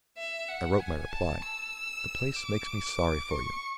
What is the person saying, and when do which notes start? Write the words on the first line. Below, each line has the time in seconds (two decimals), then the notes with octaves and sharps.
I wrote my reply: "The place makes me sorry for you."
0.18 E5
0.49 F#5
0.80 G#5
1.11 A5
1.42 E6
2.36 D6
3.30 C#6